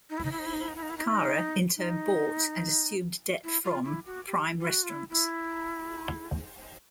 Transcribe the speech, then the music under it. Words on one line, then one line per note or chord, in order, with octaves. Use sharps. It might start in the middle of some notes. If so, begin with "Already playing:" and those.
Cara in turn bought, and assumed debt from Prime Restaurants.
D#4
E4
D#4
E4
D#4
E4
D#4
E4
D#4
E4
D#4
E4
D#4
E4
D#4
D#4
E4
F4
E4
F#4
G4
F4
F#4
F4
E4
E4